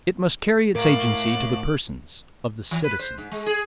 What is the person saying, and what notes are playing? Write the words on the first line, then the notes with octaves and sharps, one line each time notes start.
It must carry its agency to the persons of the citizens.
A2 A#4 F5 D6 F#6
E3
B4
C5
G#2
G#3
G#4